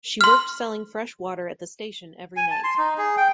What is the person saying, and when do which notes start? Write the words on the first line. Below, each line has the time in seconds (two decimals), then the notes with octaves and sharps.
She worked selling fresh water at the station every night.
0.21 C6 F6
2.37 G#5
2.51 A5
2.64 C6
2.78 D#4
2.98 G#4
3.17 G5